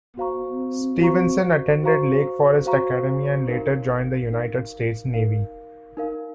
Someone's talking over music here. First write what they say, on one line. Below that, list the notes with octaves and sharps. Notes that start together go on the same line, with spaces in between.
Stevenson attended Lake Forest Academy and later joined the United States Navy.
F#4 C5 F5 A#5 C#6
F#4 C5 F5 A#5 C#6
F#4 C5 F5 A#5 C#6
F#4 C5 F5 A#5 C#6
D#4 A#4 F5
D#4 A#4 F5
D#4 A#4 F5
D#4 A#4 F5